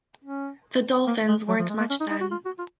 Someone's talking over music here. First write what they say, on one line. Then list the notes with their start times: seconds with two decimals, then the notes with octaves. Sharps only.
The Dolphins weren't much then.
0.24 C#4
1.07 A#3
1.28 G#3
1.48 F#3
1.59 F3
1.69 G#3
1.79 A#3
1.90 C#4
2.00 D#4
2.11 D#4
2.21 F#4
2.31 F4
2.45 F#4
2.58 F4